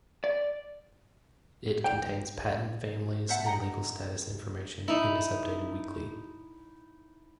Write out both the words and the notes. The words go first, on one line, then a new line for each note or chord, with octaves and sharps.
It contains patent families and legal status information, and is updated weekly.
D5
G5
C5 E5 F#5 A5
D#5 F#5 G5 A#5
D#4 E4